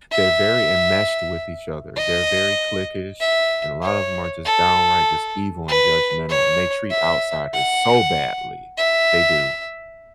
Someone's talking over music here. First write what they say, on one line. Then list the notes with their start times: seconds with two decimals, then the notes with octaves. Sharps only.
they're very enmeshed with each other. They're very cliquish, and a lot of them are just downright, just, evil and judgmental, and they treat outsiders so badly, they do,
0.12 E5
1.97 D#5
3.20 E5
3.83 C#5
4.45 A4
5.68 B4
6.29 C#5
6.91 E5
7.53 F#5
8.77 E5